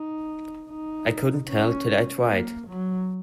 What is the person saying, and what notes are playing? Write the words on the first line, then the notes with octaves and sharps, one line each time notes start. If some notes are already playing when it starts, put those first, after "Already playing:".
I couldn't tell till I tried.
Already playing: D#4
D#4
C#4
A#3
F#3